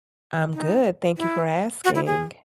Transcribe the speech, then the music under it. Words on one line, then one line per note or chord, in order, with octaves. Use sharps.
I'm good, thank you for asking.
D#4
E4
F#4
E4
G#4